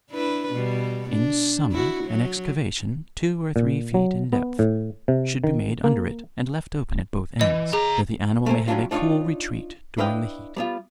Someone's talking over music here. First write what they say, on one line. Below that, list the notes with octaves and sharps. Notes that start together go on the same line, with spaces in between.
In summer an excavation, two or three feet in depth, should be made under it, and left open at both ends, that the animal may have a cool retreat during the heat.
D4 E4 B4
B2 G3
D4
E4 F#4
F#3
A#2
F#3
B3
A2
C3
D#3
A#3
E3 D#5
C#3 G#4 A#5
A3 A#4 C5 G#5
F#3 G3 A#3 C#4 D4 F4
D4 D#4 F4 C#5 D5
D4 E4 B4 D#5 F5 G5
G3 B3 F4